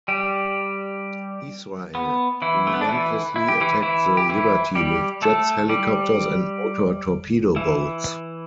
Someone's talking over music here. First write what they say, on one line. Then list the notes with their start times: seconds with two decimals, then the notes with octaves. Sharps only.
Israel relentlessly attacked the "Liberty" with jets, helicopters, and motor torpedo boats.
0.08 G3 G4
1.95 B3
2.42 E3 E4
2.67 A3
2.74 B3
2.81 D4
2.89 E3 E4
3.36 E4
3.48 G4
3.61 E3 E4
3.82 E3 E4
4.17 G4
4.29 E3 E4
4.75 G3 G4
5.22 A3 A4
5.69 G3 G4
7.56 E3 E4